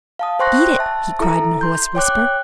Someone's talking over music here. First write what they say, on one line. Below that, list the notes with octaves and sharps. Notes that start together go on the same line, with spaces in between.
"Beat it!" he cried in a hoarse whisper.
F5 A5 D#6
C5 G5 C6 C#6 F#6 A#6
E5 A5
E4 A4 E5 A#5
C6 G6
C#5 G5 D6 F#6